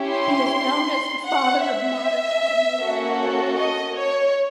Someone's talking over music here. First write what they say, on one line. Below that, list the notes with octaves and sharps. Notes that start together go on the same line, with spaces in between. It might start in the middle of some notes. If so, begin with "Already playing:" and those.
He is known as the father of modern automotive electronics.
Already playing: C#4 E4 G4
C6
F#5
E5
A#3 C#4 F#4 A4
D#5
C#5